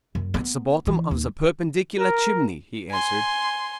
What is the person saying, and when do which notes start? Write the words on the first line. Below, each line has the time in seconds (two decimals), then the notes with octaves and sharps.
"At the bottom of the perpendicular chimney," he answered.
0.15 F#2
0.34 B3
0.87 E3
1.11 D#2
1.99 A#4
2.91 G#5 C6